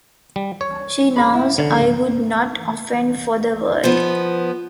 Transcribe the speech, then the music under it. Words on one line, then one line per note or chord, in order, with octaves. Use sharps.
She knows I would not offend for the world.
G3
C#5
D4 G#4 B5
E4
D3 C#4
F3 B3